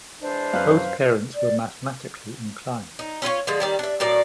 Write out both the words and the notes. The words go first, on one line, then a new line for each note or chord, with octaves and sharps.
Both parents were mathematically inclined.
E3 G#3 D4 C5
F#2 B4 F5 F6 F#6
D5
D#4
C#4 F4 C5 C#5
D3 F3 G#3
D#3 G3 D5
D4 E5
A2 F#3 A#4 D5